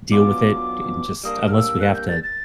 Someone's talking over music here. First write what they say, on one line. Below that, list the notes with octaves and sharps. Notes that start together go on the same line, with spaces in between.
deal with it and just unless we have to,
B2 F#3 B3 D4 F4 D6
G3 A#3 D4 D#6
F6
E6
F#6
G6
A6
A6